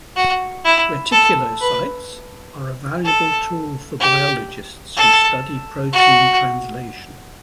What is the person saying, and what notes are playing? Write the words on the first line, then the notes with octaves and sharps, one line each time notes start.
Reticulocytes are a valuable tool for biologists who study protein translation.
F#4
E4
A4
B4
A4
G4
A4
F#4